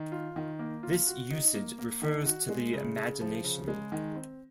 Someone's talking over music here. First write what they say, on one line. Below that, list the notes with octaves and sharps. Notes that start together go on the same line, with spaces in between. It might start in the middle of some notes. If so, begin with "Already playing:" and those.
This usage refers to the imagination.
Already playing: D#3
F4
D#3
A#3
F4
F#4
D#4
A#3
A#3
D#3
F#4
G#3
C#3
C#3
F3
C#3
G#3
D#3
C4